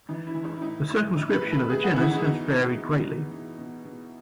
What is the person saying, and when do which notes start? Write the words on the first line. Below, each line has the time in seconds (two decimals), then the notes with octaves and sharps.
The circumscription of the genus has varied greatly.
0.09 E3 D#4
0.27 E4
0.35 E3
0.44 D#4
0.57 E4
0.62 A2 D#4
0.89 A2
1.15 A2 D#4
1.33 B4
1.43 A2
1.52 A4
1.70 A2 G#4
1.84 F#4
1.96 E3 E4
2.11 D#4
2.24 B2 D#4
2.51 B2
2.77 B2
3.05 B2
3.31 B2
3.58 B2
3.85 B2